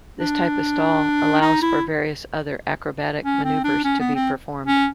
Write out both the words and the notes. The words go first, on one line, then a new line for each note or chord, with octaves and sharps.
This type of stall allows for various other acrobatic maneuvers to be performed.
D4
D#4
E4
C#4
C4
D4
C#4
B3
C4
C#4